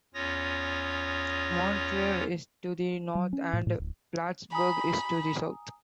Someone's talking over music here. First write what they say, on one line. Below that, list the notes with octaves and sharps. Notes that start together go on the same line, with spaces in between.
Montreal is to the north, and Plattsburgh is to the south.
E2 C#4 F4 C#5 D#6 A#6
F#3
C#4
A2
A2
D1
G#5 A#5 B5 D#6